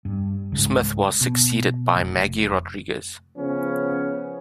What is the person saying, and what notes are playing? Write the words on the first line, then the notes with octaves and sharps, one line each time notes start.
Smith was succeeded by Maggie Rodriguez.
G2
C#2 G#2
B2
F1
C#3 F3 B3 C#4